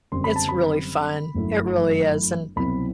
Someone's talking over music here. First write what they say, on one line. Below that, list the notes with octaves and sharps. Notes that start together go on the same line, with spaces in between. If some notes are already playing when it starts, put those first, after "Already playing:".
it's really fun, it really is, and
F#1 F#2 D3 G3 C4 C6
B5
A5
B5
G1 F#2 F#3 A3 E4
C2 B2 F#3 C4 E4 B5